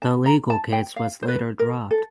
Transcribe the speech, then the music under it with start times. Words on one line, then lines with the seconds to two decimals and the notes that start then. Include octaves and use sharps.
The legal case was later dropped.
0.02 A5
0.26 A#5
0.50 A5
0.72 G5
0.96 F5
1.23 C5
1.28 B4
1.59 A#4
1.91 A4